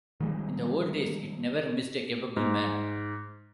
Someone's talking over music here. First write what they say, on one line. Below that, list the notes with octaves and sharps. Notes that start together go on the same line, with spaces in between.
In the old days it never missed a capable man.
D#3 F3 G3 G#3
G#2